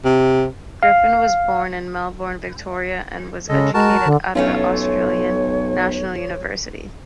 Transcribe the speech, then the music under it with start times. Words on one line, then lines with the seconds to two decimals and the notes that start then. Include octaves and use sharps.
Griffin was born in Melbourne, Victoria, and was educated at the Australian National University.
0.05 C3
0.83 F5
3.49 C#3 G#3 A4 D#5
3.74 G#3 F#4 A#4 A5
4.05 D3
4.35 B1 A3 C#4 F4 C#5